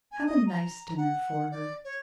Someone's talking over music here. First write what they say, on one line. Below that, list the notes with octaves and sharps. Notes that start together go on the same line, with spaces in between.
Have a nice dinner for her.
G#5
D#5
A#5
F#5
D5
C#5